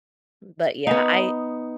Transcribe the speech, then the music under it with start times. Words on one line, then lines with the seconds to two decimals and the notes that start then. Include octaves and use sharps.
Mm, but yeah, I
0.87 B3 D#4